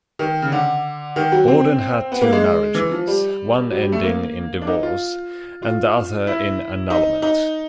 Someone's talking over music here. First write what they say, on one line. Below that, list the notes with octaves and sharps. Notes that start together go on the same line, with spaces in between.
Borden had two marriages, one ending in divorce and the other in annulment.
D#3
C#3
D3
D#3
F#3
C4
B3
A#3
G#3
E3
F3
G3
F#3
G3
A3
A#3
D4
D#4
F4
F4
E4
D#4
D#4